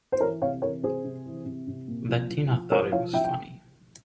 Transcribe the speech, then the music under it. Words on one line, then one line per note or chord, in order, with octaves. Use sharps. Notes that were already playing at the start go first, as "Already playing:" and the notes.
That Tina thought it was funny!
C5
E3 A#4 C#5
C3 C#5 F5
E3 A#4 C#5
C3 G#4 C5
C3
E3
C3
C3
A#2
F3
F3
F3
F3 A#4 C#5
F3 C#5 F5
F3 E5 G5
G5